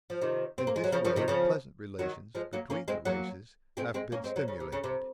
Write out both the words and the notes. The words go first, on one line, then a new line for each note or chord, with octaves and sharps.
In this way pleasant relations between the races have been simulated.
F3
C3 D#3
C4
A#3
G#3
F#3
C#3 F3
C#3 F3
C3 D#3
C#3 F3
D#3 F#3
F3 G#3
F#3 A#3
A#3 C#4
G#3 C4
F#3 A#3
G#3 C4
G#3 C4
A#3 C#4
G#3 C4
F#3 A#3
C#3
C3
C#3
C3